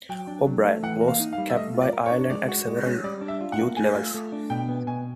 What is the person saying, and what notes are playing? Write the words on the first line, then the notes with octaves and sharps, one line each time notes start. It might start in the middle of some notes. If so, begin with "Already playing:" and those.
O'Brien was capped by Ireland at several youth levels.
F#3 G5
D4
F#3
A3
E3 F#5
A#3
F5
D#4
F5
G3
E5
A3 D#5
F4
D5
A#4
C#5
D4
G#3 D5
F#4
G#3
C#4
G3 D5
D4
E5
F4
F#5
A#3
A3 G#5
F4
A3
D4
B2 G5
B3
B2 G#5